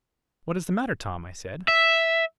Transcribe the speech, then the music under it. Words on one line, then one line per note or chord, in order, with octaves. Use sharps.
"What is the matter, Tom?" I said.
E5